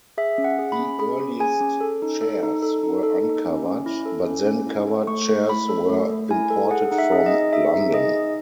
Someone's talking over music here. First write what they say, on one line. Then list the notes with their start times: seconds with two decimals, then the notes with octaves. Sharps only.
The earliest chairs were uncovered, but then covered chairs were imported from London.
0.18 G#4 E5
0.38 C#4
0.44 F#5
0.59 G#4
0.72 B5
0.79 C#4
0.99 G#4 B5
1.19 C#4
1.40 G#4 G#5
1.60 C#4
1.81 A4
2.02 D#4
2.21 A4
2.43 D#4
2.62 A4
2.83 D#4
3.03 A4
3.24 D#4
3.45 C#4
3.66 C#4
3.86 E4
4.05 A4
4.26 C#4
4.46 C#4
4.67 E4
4.87 A4
5.07 A3 C#6
5.28 A3
5.48 E4 B5
5.69 A4
5.89 A3
6.10 A3
6.30 E4 G#5
6.50 A4
6.71 G#4 F#5
6.91 D#4 F#5
6.98 E5
7.12 G#4
7.26 D#5
7.32 D#4
7.53 G#4 E5
7.74 D#4
7.94 G#4 D#5
8.14 D#4